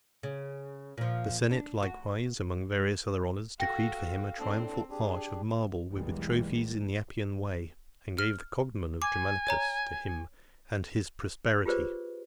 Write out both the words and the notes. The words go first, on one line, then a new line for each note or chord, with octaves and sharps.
The senate likewise, among various other honours, decreed for him a triumphal arch of marble, with trophies, in the Appian Way, and gave the cognomen of Germanicus to him and his posterity.
C#3
A#2 F3
D4
F#4
F#4 A4 F5 G5 A#6
A2 C4 D4 A4
D4 G4 G#4
B1 E2 E3 G3 G#3 A#3
F6
G#5 D6
C#5 A#5
F4 G4 G#4 B4 C5 D5